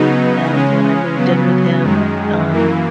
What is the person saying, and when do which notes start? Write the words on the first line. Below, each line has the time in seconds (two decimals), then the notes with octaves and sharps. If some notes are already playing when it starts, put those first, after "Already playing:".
and when I moved in with him, um,
Already playing: C#3 F#3 B3 D#4
0.50 C#3 G#3 C#4
1.16 C#3 F#3 B3
1.83 F#2 D#3 G#3
2.50 F#2 E3 A#3